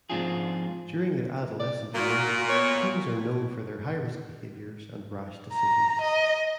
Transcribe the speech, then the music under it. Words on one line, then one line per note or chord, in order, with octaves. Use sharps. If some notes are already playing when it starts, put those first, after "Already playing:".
During their adolescent years, teens are known for their high-risk behaviors and rash decisions.
G#2 F3 C4 D4 F4 G#4
D5
A#2 A#3 F#4
B3 C#5
A#5
D#5